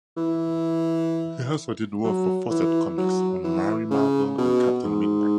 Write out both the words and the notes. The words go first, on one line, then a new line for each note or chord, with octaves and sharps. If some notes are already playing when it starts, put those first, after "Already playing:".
He also did work for Fawcett Comics on "Mary Marvel" and "Captain Midnight".
E3
F#3
E3
F#3
E3
C#3
B2
G#2